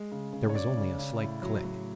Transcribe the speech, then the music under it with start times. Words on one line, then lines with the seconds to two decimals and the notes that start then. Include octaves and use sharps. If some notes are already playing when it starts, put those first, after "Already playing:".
There was only a slight click.
Already playing: G#3
0.12 C#3
0.33 C#3
0.49 C#5
0.55 C#3 D5
0.77 C#3
0.99 C#3
1.20 A2
1.42 F#3
1.65 F#3